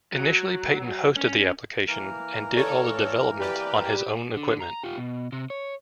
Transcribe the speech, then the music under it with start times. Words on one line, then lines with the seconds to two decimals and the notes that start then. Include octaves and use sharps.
Initially Peyton hosted the application and did all the development on his own equipment.
0.13 F#3
1.16 C#4
1.88 E3 A#3 A#4
2.55 A4 C#5 D5
3.39 G4 B4 D5
4.37 D3
4.60 A#5
4.83 F4 G4
4.97 B2
5.32 C3
5.50 C#5